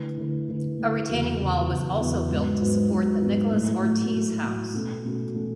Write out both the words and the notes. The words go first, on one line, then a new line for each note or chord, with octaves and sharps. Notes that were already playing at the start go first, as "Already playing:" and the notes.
A retaining wall was also built to support the Nicholas Ortiz house.
Already playing: D3 A3 E4 B4
D3 A3 E4 B4
D3 A3 E4 B4
D3 A3 E4 B4
E2 C#3 F#3 B3 F#4
E2 C#3 F#3 B3 F#4
E2 C#3 F#3 B3 F#4
E2 C#3 F#3 B3 F#4
G#2 F#3 B3
G#2 F#3 B3
G#2 F#3 B3
G#2 F#3 B3
A2 F#3 A3
A2 F#3 A3
A2 F#3 A3
A2 F#3 A3
B2 A3 C#4 F#4 A4
B2 A3 C#4 F#4 A4
B2 A3 C#4 F#4 A4